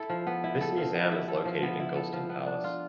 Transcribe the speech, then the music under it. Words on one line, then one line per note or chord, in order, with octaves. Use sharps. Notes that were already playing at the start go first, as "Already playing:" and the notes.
This museum is located in Golestan Palace.
Already playing: E4 A4
F3
B3
E4
A4
F3
B3
E4
A4
F3
B3
E4
A4
F3
B3
D4
F4